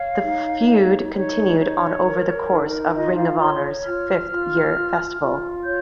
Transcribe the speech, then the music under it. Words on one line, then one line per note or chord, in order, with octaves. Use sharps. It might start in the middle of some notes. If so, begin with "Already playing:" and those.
The feud continued on over the course of Ring of Honor's Fifth Year Festival.
Already playing: C#5 F5
D#4
C#5
D#4 C#5
C#5
A#4
D#4
F4 D#5
F5
C#5 C6
F4 F6
F4
F4
F4
C#5 G6